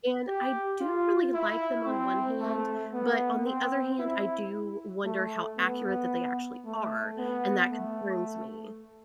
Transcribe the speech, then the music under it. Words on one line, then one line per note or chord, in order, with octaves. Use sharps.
and I do, really, like them on one hand, but on the other hand, I do wonder how accurate that they actually are, and that concerns me.
G4
F4
E4
C4
A3
B3
C4
E4
A3
B3
A3
B3
A3